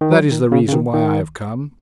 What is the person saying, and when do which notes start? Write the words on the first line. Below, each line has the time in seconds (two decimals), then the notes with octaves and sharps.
That is the reason why I have come.
0.01 D#3
0.11 F#3
0.31 D#3
0.52 C#3
0.68 C#3
0.73 D#3
0.94 D#3